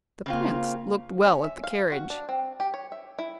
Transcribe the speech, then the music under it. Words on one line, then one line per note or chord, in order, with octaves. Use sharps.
The prince looked well at the carriage.
C#3 A#3 C4 F4
C#4
E5
F5
F#4
D4
C4
G4
C#5
E5
E4